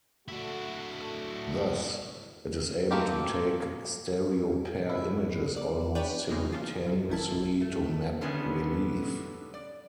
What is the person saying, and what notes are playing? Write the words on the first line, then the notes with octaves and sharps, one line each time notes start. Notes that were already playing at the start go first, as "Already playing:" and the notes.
Thus, it is able to take stereopair images almost simultaneously to map relief.
A3 D4 E4 F#4
A3 A#3 C4 G4
E4
D5
D4 B4 C#5 D5 G5
C#3 E3 G#3 A#3 D#4
C#3 F3 F4
F#2
A1 D#3 E4 A5
A3
D3 D#3 G3 A3 B3 C#4
D5